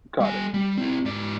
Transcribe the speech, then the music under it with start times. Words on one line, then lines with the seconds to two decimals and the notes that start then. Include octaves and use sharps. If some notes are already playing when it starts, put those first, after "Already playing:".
Got it.
0.20 G3 G#5
0.54 G3
0.78 C4 E4
1.05 G#2 D5